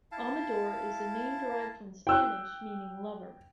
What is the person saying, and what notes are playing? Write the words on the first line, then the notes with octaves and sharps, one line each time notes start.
Amador is a name derived from Spanish meaning "lover".
E4 F5 A5
G5 E6 F#6